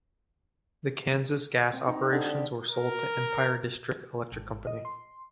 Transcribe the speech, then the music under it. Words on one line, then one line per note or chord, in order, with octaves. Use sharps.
The Kansas gas operations were sold to Empire District Electric Company.
C4
D#4
D3
G4
A#4
G#1
D#5
C6